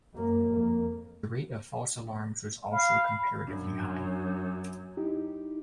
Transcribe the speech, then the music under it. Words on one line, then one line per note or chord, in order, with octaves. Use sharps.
The rate of false alarms was also comparatively high.
F#2 A#3
F2 A#3
F5 B5
F#2 D4
D#4 E4 G4